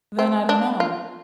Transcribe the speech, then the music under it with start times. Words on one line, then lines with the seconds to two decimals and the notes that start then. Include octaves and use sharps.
Then I don't know,
0.19 C4
0.49 D4
0.80 F4